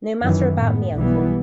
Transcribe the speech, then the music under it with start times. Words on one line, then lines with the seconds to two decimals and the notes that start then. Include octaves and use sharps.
No matter about me, uncle.
0.22 F#2 D#3 E3
0.54 A2 B3
0.95 B1 E3 G3 B3